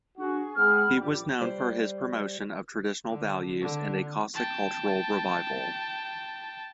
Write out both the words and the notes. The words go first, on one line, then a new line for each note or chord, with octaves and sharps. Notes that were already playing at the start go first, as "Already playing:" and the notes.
He was known for his promotion of traditional values and a Cossack cultural revival.
D4 F#4 G#4 C#6
G#2 C4 G#4 F#5 B5 F6
A#1 G3 D6
G3 C5
D3
D3
G5 A5